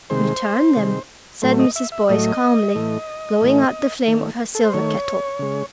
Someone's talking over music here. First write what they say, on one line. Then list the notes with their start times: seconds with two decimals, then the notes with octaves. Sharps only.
"Return them," said Mrs. Boyce, calmly, blowing out the flame of her silver kettle.
0.10 C3 D#3 G#3 C5
0.76 C3 D#3 G#3
1.42 A2 F#3 A3 C5
1.59 D#5
1.76 E5
1.92 E5
2.09 A2 F#3 A3 D#5
2.75 A2 E3 A3
3.41 A2 E3 A3
4.08 D#3 A3
4.55 A4
4.64 C5
4.73 D#3 A3 C#5
5.39 C#3 G#3